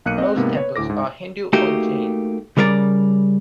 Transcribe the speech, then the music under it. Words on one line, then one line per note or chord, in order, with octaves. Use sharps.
Most temples are Hindu or Jain.
B1 A#3 F#6 C#7 D#7
C4 D#5
G#2 C3 A#3 B3
B4 C#5
D2 A2 D6 A#6
G#2
A3 A#3 D#4 F#4 G4
C#3 G3 A#4 B4 D5